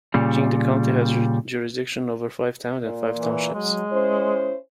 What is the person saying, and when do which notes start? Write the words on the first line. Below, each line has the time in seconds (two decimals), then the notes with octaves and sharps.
Jingde County has jurisdiction over five towns and five townships.
0.14 A#2 C#3 G3
2.84 A#2
3.18 E3
3.54 F#3 G#3
3.92 C#4 E4 C5